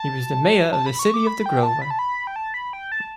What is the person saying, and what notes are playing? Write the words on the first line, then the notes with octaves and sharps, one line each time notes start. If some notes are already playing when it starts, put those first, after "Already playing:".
He was the Major of the City of the Grover.
Already playing: A5
A5
B5
C#6
D6
B5
G5
A5
B5
A5
B5
G5
A5
B5
G5
A5